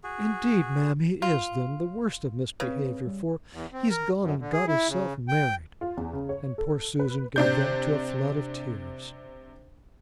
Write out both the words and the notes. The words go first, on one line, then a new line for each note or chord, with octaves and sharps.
'Indeed, ma'am, he is then; the worst of misbehaviour; for he's gone and got hisself married.' And poor Susan gave vent to a flood of tears.
F#4 G#4
F4
C#3 C4 B4
G3
E2
C4
A#4
F#2
D3
G#4
E4
C#3
G5
F4
E2
C#3
C#5
A4
B4
C3 D4 G6